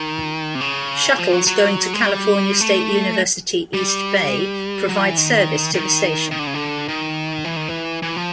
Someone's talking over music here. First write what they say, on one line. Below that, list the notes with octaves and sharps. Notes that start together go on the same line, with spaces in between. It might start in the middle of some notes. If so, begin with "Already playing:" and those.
Shuttles going to California State University, East Bay provide service to the station.
Already playing: D#3
C3
C#3
F3
F#3
F#3
G#3
G3
A3
G3
F#3
F3
E3
D#3
D#3
D#3
D3
C#3
D3
D#3
E3
D#3
E3
E3
F3